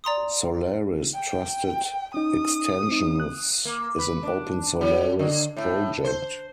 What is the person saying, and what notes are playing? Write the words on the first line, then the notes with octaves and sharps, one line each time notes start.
Solaris Trusted Extensions is an OpenSolaris project.
D5 A#5 C6 D#6
G5
C#4 D#4 D#6
C4 D#4
F#6
A#3
B4
D4
F#3
D3
A2
C5